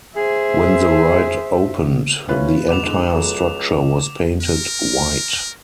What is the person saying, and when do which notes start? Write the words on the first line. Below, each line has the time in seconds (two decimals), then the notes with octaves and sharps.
When the ride opened, the entire structure was painted white.
0.16 G#4 C5 E5
2.29 C#4 E4 F4 B4
2.69 B2 B3 D6 E7 F7
2.83 D3 G#3 D#4
3.13 C#2 F#3 A3 G#4
4.42 A#4